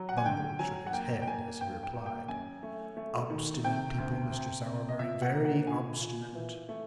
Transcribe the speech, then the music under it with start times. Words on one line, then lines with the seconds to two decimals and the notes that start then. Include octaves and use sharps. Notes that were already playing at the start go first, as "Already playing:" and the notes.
Bumble shook his head, as he replied, 'Obstinate people, Mr. Sowerberry; very obstinate.
Already playing: F#3
0.09 F#5
0.18 G#5
0.26 D3 G5
0.59 F#3 G#5
0.87 F#5
0.93 A#3 G5
1.22 G5
1.27 A#3 G#5
1.61 G2 G5
1.83 G5
1.95 A#3
2.06 G5
2.28 F#2 G#5
2.63 A3
2.97 A3
3.30 D#3
3.64 C3 G5
3.98 D2
4.32 C3
4.65 C3
4.89 D#5
4.99 A#2 E5
5.22 F#5
5.33 A#3
5.45 F#5
5.67 A#2 G#5
6.01 A#2
6.35 E3
6.69 A3